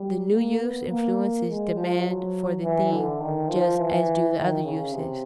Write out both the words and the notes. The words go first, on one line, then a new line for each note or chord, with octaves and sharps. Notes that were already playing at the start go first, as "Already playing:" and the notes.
The new use influences demand for the thing just as do the other uses.
Already playing: G3
A#3
B3
A#3
G#3
F3
F#3
E3
D3
D#3
F3
E3
D#3
C#3
C3